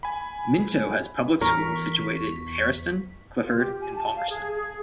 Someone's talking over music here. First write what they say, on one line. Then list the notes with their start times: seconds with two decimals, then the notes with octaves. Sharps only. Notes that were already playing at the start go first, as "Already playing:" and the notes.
Minto has public schools situated in Harriston, Clifford and Palmerston.
0.03 G#5 B5
1.41 E2 A#4 C#6 B6
3.43 F4
3.57 G4
3.81 G#5
3.96 A5
4.16 F5
4.30 G#4
4.55 G#4